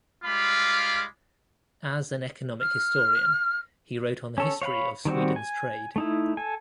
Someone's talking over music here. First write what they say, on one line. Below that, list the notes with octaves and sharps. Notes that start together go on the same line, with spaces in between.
As an economic historian, he wrote on the history of Sweden's trade.
G3 G#3 F4 F5 B5 D6
F6
C#4 A4 C#5
C#5 F5 F#5 B5
D#3 G3 C4 F#4
G#5
A3 D#4 E4
A4 G#5